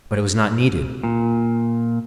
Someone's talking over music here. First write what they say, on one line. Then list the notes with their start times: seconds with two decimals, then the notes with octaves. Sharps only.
But it was not needed.
1.03 A#2